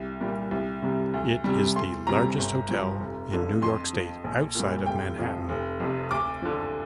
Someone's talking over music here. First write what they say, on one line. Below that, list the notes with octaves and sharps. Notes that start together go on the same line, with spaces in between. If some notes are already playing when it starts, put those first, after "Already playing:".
It is the largest hotel in New York state outside of Manhattan.
Already playing: C2
A#2 G3
C2
C3 G3
D2
C3 G3
D2 C6
C3 G3 A#5
G1
G2 F3
F1
F2 D3 F3
F2 C6
F3
A#1
A#2 G3
F1 G5
F2 F3
F1
F2 C3
D2 D6
D3 F3